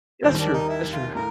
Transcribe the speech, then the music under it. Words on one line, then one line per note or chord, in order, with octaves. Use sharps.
That's true that's true.
D#2 D#3 G3 C4
D4
D#4
E4
F4
A2 A#4